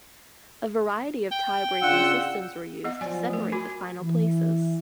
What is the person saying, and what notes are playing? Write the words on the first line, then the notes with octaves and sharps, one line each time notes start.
A variety of tie-breaking systems were used to separate the final places.
G5
C#3 D4 F4 F#5 E6
B3 D#5 F#5
F3 F#3 D5 G#5
A3 A#4
F#4 G#5 B5 D6
E3